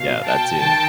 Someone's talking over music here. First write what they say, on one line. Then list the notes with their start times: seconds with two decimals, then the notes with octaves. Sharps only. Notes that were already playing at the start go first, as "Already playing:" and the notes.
Yeah, that too.
Already playing: B2 F5
0.25 G5 A5
0.58 D#3 G5 A5